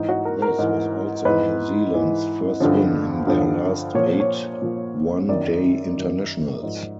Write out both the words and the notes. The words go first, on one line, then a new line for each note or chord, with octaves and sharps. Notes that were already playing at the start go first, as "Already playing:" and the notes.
This was also New Zealand's first win in their last eight one-day internationals.
Already playing: G#2 E3 D#4
F#4
A#4
A#4
G#2 E3
G#2 E3 B4
G#2 E3
G2 D3 F3
G2 D3 F3
A#2 F3 C#5
C5
C#5
A#2 F3
F#2 D#3 D5
F#2 D#3
G#2 F3